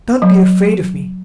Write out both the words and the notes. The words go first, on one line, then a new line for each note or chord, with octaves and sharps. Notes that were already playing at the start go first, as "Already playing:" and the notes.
Don't be afraid of me.
F#3